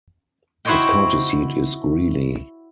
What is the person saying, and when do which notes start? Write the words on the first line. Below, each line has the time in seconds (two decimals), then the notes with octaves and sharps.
Its county seat is Greeley.
0.65 E4 F#4 C5 C#5 D#5 G5